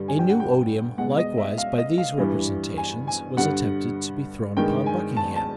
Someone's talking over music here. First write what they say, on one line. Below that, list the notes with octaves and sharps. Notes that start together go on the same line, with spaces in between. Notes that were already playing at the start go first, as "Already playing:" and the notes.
A new odium, likewise, by these representations, was attempted to be thrown upon Buckingham.
Already playing: G2 D3 G3
G#5
G5
F#5
G5
B2 G#3 F#5
D#5
E5
F5
D#5
F5
G2 E3 G3
G#5
G#5
G2 D3 G3 F#5
G2 D#3 G#3 G5
G#5
A5
A5